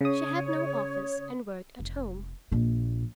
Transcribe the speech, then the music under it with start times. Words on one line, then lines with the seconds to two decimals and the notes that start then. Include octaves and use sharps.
She had no office, and worked at home.
0.01 C#3 C#5 D#6
1.79 F1
2.51 A#1 A#2